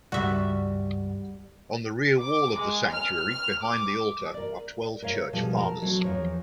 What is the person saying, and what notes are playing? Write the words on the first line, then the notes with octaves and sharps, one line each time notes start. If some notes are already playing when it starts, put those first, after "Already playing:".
On the rear wall of the sanctuary, behind the altar, are Twelve Church Fathers.
C#2 G2 G3 F#4 E5 F#5
D6
G#3
F6
F6
D6
A#4 D5
A#4 C#5 F5
B2 F3 G3 F4 G#4 A4
A4 A#4
F#3 C4
E2 G#2 F3 A#4 C#5